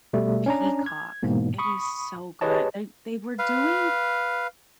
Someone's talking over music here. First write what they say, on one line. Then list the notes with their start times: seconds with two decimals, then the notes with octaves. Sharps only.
Peacock, it is so good, they they were doing
0.13 B2 G3 A3
0.46 C#4 D4 A#5
0.86 G#6
1.23 G#2 B2 E3 A#3 B3
1.58 B5 C#6 D#6
2.41 G4 G#4 B4 C#5 D#5 A5
3.39 B4 F5